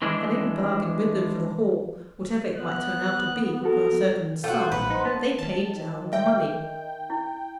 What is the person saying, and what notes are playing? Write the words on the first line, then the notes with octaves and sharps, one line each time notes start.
Having bargained with them for the haul, whatever it might turn out to be, for a certain sum, they paid down the money.
D#3 E3 G#3 D4
B3 F#6
F#4 A4 A#4
F4 F#4 A4 G5
C5
A#1 B4 F#5
D#4 C5 C6
B3 A5
D#3 A5
E5 G5
E4